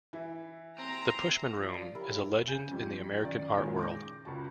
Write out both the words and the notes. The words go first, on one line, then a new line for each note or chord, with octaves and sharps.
The 'Pushman Room' is a legend in the American art world.
E3 E4
C4 A#5
F3 D5
C#3 F#3 E4 G4 A#4
C#3 G#5 G6
F2 G3
F#2 D#3 D5
A#2 D#3 G#3 C#4 E4 G#4
D6 G6 A#6
C#2 C#3 F#4 A5